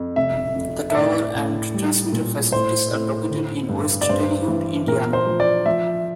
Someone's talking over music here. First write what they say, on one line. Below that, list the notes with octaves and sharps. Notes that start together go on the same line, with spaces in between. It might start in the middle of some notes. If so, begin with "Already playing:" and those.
The tower and transmitter facilities are located in West Terre Haute, Indiana.
Already playing: F2
C3 E5
F2
E5
A2 D5
A2
G3
A#2
A2 C5
A2
D3
G2
D5
G2 C5
E3
A#2 A#4
C5
F3
D5
F3 E5